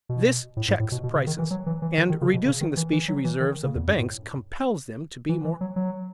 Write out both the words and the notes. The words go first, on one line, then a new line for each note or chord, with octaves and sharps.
This checks prices, and, reducing the specie reserves of the banks, compels them to be more cautious.
B2
A2
G#2
A2
B2
B2
C#3
D#3
E3
F#3
E3
E3
D#3
D#3
C#3
B2
C#3
D#3
E3
E3
F#3
E3
D#3
C#3
E2
F#2
A2
E3
E3
F#3
F#3